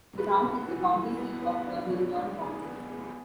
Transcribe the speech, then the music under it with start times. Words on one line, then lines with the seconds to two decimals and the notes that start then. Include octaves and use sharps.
The town is the county seat of Vermillion County.
0.18 B4
0.44 F#4
0.68 E3
0.93 E3
1.17 B3
1.42 B4
1.67 D4
1.91 C#5
2.16 D4
2.41 G#4
2.65 B3
2.90 G#4